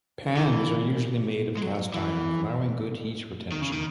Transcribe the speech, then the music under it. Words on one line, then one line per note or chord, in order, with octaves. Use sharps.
Pans are usually made of cast iron, allowing good heat retention.
E3
G#3
F#3
E3
D#3
C#3
D#3